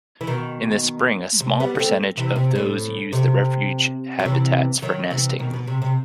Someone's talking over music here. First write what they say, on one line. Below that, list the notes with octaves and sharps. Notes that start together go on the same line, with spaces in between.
In the spring, a small percentage of those use the refuge habitats for nesting.
E3
B2 D#3
C3
G3 B3
B3
A3 C4
C3 E3
C3
A2
C3
F#3
C3 E3
D#3 F#3
C3 E3
B2 D#3
B2
C3
C3